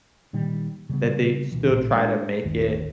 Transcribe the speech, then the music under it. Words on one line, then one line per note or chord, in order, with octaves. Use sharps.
that they still try to make it,
A#2 D#3 G3
C#3 G3 G#3 B3
D2 B2 E3
A1 A#2
G#3 D4
G1 D#2